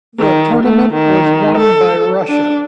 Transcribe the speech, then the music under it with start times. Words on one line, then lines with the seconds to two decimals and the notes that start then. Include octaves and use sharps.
The tournament was won by Russia.
0.19 D#3
0.64 A3
0.94 D#3
1.57 A4
2.29 D4